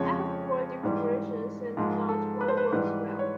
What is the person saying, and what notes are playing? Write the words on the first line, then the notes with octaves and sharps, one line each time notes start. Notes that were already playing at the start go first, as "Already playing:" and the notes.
I have four different versions and not one works well.
Already playing: F2 C#3 F3 G#3 C#5
G#2 E3 G3
G#2 F3 G#3
A4
B4
C5
B4
G#2 E3 G3 B4
C#5